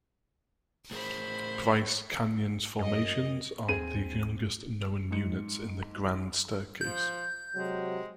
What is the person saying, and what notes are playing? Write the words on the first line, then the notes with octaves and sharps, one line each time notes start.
Bryce Canyon's formations are the youngest known units in the Grand Staircase.
A2 G#4 A#4 C5 B5
F#2 D#5
D#2 C4 G#4 D#7
G#2 C#7
F3 G6
C3 F#3 G#3